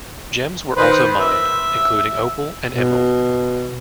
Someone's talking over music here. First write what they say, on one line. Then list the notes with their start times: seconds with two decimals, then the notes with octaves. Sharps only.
Gems were also mined, including opal and emerald.
0.77 D#3 B4 C5
1.20 E5
2.74 B2